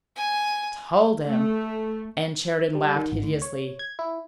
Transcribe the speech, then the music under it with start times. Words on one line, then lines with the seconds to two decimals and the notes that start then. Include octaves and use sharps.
"TOLD him!" And Sheridan laughed hideously.
0.16 G#5
1.25 A3
2.75 G3
2.96 D#3
3.12 G#1
3.23 D2
3.42 C#5
3.79 G#6
3.99 E4